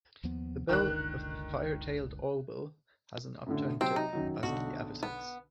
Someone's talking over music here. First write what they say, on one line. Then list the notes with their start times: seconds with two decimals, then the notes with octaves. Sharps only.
The bill of the fiery-tailed awlbill has an upturned tip, as in the avocets.
0.23 D#2 F3 B3
0.69 F#1 C#2 D3 D#3 F#6
3.46 F#2 A2 D3
3.81 C3 F#3 C4
3.96 D#4
4.13 F#2 D#3 F#3
4.43 B1 D3 F#4
5.03 B3